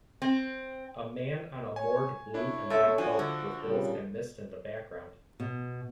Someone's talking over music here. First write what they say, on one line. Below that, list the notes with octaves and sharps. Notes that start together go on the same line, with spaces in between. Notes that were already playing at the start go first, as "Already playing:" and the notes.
A man on a moored blue and white boat with hills and mist in the background.
C4
C#5 G#5
D4 E4 C#5
C#2 A4 E5
F3 D4 F#4 G#5
D3
A#2 C#3 G3
B2